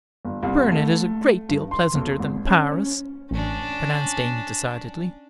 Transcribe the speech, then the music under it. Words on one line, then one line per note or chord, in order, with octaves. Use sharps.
"Burnet is a great deal pleasanter than Paris," pronounced Amy, decidedly.
G1
C2
A3
G2
C6
B1
G#1
C#4
C#4
A1 C#4 D4